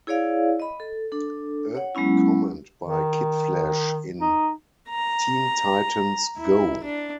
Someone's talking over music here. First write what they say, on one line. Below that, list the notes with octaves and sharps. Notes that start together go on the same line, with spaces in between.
A comment by Kid Flash in Teen Titans Go!
E4 G#4 C#5 D5 F5
D#5 B5
A4
D4 A4
C#5 F#5
F#3 G#3 B3 C#4 E4
D#3
D#4
A#5
E4
D4